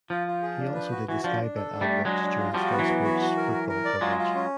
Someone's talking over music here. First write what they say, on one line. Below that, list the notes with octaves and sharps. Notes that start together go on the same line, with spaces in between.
He also did the Sky Bet adverts during Sky Sports football coverage.
F3 F4
F4
G#4
D4
B4
F#4
E3 F#4
F3 D4
D4
A4
D4
G3 A3
D4
F#3 G#3 D4
D4
F4
F3 G3 F#4
B3
E3 F#3
B3
F#4
F#4
A#4
A#4
A#4
D5
F#3 G#3 F4
F4
C#4